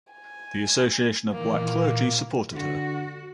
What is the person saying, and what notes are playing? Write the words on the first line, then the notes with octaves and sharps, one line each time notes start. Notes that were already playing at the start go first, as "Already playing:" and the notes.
The Association of Black Clergy supported her.
G#5
A#2 D#3 E3 A#3
D3 F#4